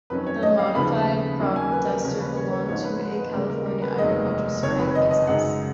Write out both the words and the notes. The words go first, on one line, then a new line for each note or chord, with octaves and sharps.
The modified crop duster belonged to a California agricultural spraying business.
F2 D#3 F#3 C#4 B4
C#5
D#5
F5
D#2 C#3 F3 B3 D#4 B5
D#2 D#3 F#3 A#3 C#4
G#5
B4
A#4
D#2 C#3 F3 A#3 C#4 A#4
B4
C#5
C#5
G#1 G#2 F3 A#3 D#4 C#5
B4
B4
B4
D#2 C#3 G#3 A#4
A#4
A#4
B4
F1 D#2 D#3 G#3 B3 D#5
F#1 F2 D#3 C#5
B4
D#5
D#5
F#2 C#3 G#3 D#4 F#5